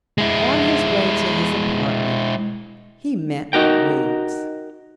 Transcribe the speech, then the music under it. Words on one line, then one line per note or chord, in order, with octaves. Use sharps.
On his way to his apartment he met Wiggs.
G#3 E4
D#4 F#4 A#4 G5